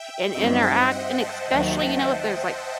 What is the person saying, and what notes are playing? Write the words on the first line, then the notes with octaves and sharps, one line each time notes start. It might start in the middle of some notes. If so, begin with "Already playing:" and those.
and interact, and especially, you know, if there's like
Already playing: E5 G5
G2 F#3 C4 D#4 E5 G5
C5 E5
D#5 F#5
F#5 A5
D#2 D#3 F#3